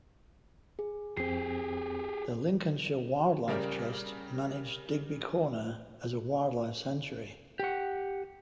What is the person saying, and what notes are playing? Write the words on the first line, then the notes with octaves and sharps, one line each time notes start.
The Lincolnshire Wildlife Trust manage Digby Corner as a wildlife sanctuary.
G#4
F2 C4 G4 G#4 C7
C#3 G3 A#4 D5
G4 F#5